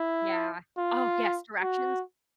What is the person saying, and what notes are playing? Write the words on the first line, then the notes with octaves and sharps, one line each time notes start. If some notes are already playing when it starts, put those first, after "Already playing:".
Yeah. Oh, yes, directions?
Already playing: E4
F4
F#4